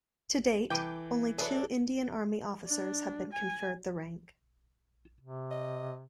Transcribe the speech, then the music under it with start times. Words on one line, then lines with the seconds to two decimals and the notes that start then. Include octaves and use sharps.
To date, only two Indian Army officers have been conferred the rank.
0.70 C2 E3 A4 B4 G5 D6 G6
1.38 F#3 D4 G#4 A4 B4 E5
2.67 D4
3.33 G#5
5.22 C3
5.51 D#5